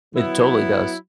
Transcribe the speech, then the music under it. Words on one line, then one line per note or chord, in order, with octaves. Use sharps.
It totally does.
F#3 B3 E4